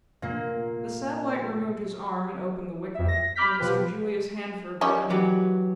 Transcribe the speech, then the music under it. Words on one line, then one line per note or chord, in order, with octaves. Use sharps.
The satellite removed his arm and opened the wicket, and Mr Julius Handford went out.
A#2 A#3
F2 E5
A#6
B5 D6 F6 G6 B6
B2 F3 G4 B4
D#3 G3 C#4
E3 F#3 G4